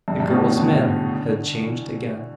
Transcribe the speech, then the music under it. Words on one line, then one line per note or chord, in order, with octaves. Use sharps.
The girl's manner had changed again.
G2
G2
A2
B2
C#3
D3
E3